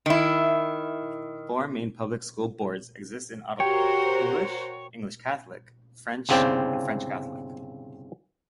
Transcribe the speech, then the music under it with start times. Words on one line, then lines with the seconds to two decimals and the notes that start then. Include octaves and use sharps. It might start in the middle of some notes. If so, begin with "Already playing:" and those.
Four main public school boards exist in Ottawa: English, English-Catholic, French, and French-Catholic.
0.06 D#3 E4
3.60 F#4 G4 A#4 C5 C#5 G5
6.29 G1 C2 C#3 C4 D5 G5